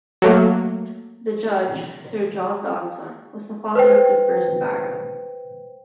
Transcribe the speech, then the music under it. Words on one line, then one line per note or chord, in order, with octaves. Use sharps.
The judge Sir John Dodson was the father of the first Baron.
F#3 A3 A#3
B4 C5 G5